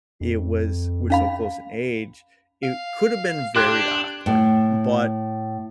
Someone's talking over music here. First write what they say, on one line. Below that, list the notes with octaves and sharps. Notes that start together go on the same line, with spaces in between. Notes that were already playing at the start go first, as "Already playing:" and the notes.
it was we're so close in age, it could have been very awkward, but
F2
C#4 F5 B5
F5
D4 G4 C6 F#6 G#6
A2